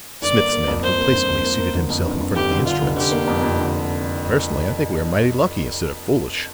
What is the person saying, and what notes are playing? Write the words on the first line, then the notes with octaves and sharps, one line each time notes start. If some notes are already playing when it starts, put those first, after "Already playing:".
Smith's man complacently seated himself in front of the instruments. "Personally, I think we are mighty lucky, instead of foolish."
G1 D5
A#3
A#3
F2
A#3 C5
A#3
G1
F2
A#3
A#3
D3
F2
G1
G1
G1 G4
D3
D3 F4
F1
D3 G4
A#3
F2
F2
D3